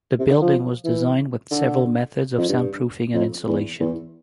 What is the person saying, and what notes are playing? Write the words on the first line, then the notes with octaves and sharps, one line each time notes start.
The building was designed with several methods of soundproofing and insulation.
C3
D3
F3
E3
D3
F2
G2
F2
E2
E2